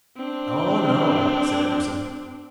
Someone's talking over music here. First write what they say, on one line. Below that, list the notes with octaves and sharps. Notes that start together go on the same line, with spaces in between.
"Oh no," said Emerson.
C4 D4